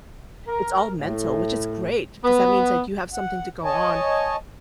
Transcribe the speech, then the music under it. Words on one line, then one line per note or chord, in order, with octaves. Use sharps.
It's all mental, which is great, 'cause that means that you have something to go on
A#4
A2
B3
F#5
C#5 D#5 G#5 A5